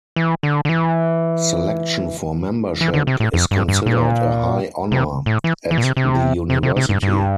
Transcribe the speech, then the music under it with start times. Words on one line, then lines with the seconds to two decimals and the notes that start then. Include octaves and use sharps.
Selection for membership is considered a high honor at the University.
0.16 E3
0.43 D3
0.65 D3
0.69 E3
2.81 E3
2.94 D3
3.07 C3
3.20 A2
3.33 F2
3.51 G2
3.68 G2
3.86 A#2
4.92 C3
5.26 A2
5.44 E3
5.71 E3
5.78 A#2
5.84 C3
5.97 C3
6.50 C3
6.63 C3
6.76 C3
6.89 G2
7.03 G2